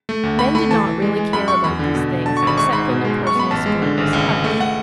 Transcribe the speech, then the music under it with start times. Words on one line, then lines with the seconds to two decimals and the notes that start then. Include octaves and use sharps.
Men did not really care about these things, except when their personal spleen was touched.
0.09 A3
0.23 D2
0.39 A3 B5
0.55 A3 B5
0.71 E3 A5
0.87 E3
1.02 G#3
1.17 G#3
1.33 F#2 B5
1.48 F#2 C#6
1.64 E2 B5
1.79 D3
1.95 B2
2.11 B2
2.26 D3 A5
2.37 C#6
2.42 G#1 B5
2.57 G#2 C#6
2.72 G#2 B5
2.89 B2
3.05 G#3
3.19 F#2
3.27 C#6
3.35 B3 B5
3.51 A1 A5
3.66 G#3
3.82 D3
3.98 G#1
4.13 C#2
4.29 C#2
4.44 A3
4.59 A3 F#5